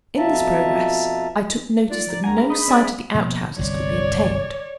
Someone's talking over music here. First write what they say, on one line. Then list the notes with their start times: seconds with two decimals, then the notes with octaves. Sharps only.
In this progress, I took notice that no sight of the out-houses could be obtained.
0.17 F2 B2 F4 E5 A5 A#5
1.89 D#4 F4 D5
2.07 F3 A#5
2.24 C#2 D#3 A#3 D4 F#5 G#5 A#5
2.38 D4 G#4 A#4 B5
2.50 D#4 D#5 B5
2.68 C4 D5 E5 G#5
3.15 B2 F3 A#3
3.59 G1 C2 C#5 D5